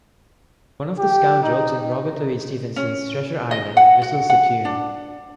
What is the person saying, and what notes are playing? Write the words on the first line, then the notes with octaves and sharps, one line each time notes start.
One of the scoundrels in Robert Louis Stevenson's "Treasure Island" whistles the tune.
G4
D#4
C#4
D#5
F#5
F#4
F#5
D4